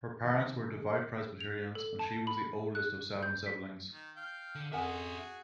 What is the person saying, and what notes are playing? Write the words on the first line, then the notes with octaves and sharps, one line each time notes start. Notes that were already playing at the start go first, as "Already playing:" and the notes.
Her parents were devout Presbyterians and she was the oldest of seven siblings.
B2 D#3 G#3 D4 G4
F7
A4
A5
B5
F#6
G6
B6
D#3
F5 G5
D3
F2 C#4 F#4 G#4 A#4 E5 F#5 G#5